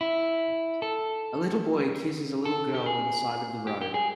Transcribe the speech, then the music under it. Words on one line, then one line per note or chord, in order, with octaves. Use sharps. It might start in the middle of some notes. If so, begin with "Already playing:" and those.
A little boy kisses a little girl on the side of the road.
E4
A4
A4
G4
G#4
G4
G4
G#4